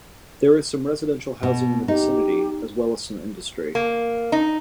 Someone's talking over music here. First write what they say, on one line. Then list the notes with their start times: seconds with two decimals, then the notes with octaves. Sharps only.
There is some residential housing in the vicinity, as well as some industry.
1.43 B2
1.88 D#4 G4
3.75 A#3
4.32 D#4